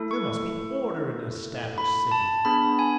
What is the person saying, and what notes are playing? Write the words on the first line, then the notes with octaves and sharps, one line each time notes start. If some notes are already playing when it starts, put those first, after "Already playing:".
There must be order in an established city.
Already playing: A3 E4 A4
C#6
B5
A5
B3 D4 G#4 B5
G#5